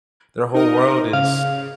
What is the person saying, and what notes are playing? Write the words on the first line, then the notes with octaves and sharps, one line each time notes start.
their whole world is
D#4 A#4 D#5
C#3 F5